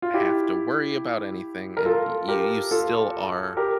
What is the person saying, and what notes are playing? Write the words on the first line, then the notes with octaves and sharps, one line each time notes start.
have to worry about anything and y you you still are,
F4
E4 G4
A#4
F4 A4
G4 A#4
F4 A4
G4 A#4